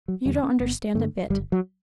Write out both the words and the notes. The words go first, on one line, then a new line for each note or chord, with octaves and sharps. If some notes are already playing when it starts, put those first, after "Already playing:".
You don't understand a bit!
F#3
E2 D3 G3
C#4
G1 B3
G2 D3 A3
G1 G3
F#3